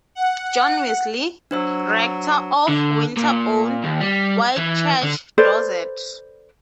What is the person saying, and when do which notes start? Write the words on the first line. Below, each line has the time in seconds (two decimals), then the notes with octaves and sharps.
John Wesley, rector of Winterborne Whitechurch, Dorset.
0.15 F#5
1.51 F#3 D4 C5 E6
2.68 D3
3.17 A#2
3.83 D#2
4.01 G3
4.57 E3
5.03 D3
5.38 A4 B4 C5 D5